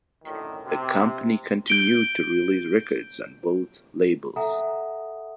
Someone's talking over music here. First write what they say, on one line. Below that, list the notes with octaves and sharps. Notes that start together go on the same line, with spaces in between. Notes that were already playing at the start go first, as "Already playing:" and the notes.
The company continued to release records on both labels.
F#2 A2 D3 D#3
C3
G6 D7 G7
A4 E5 F#5 G#5 A#5 D#6